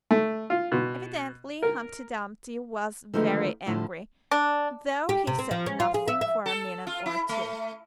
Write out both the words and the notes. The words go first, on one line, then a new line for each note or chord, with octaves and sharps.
Evidently Humpty Dumpty was very angry, though he said nothing for a minute or two.
A3
F4
B2
A#4
D3 D#3 F3 G#3 A3 B3
A2 D3 F3
D4
G4
C3
C4
F3
C#4
F4
G#4
E5
E5
A4
F4
E4
A3